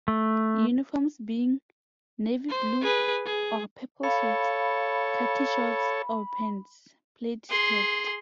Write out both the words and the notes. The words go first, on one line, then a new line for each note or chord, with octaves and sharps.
Uniforms being; navy blue or purple shirt, khaki shorts or pants, plaid skirt.
A3
C5
G#4 B4
G#4
A4 C#5 F5 B5
G#4 C6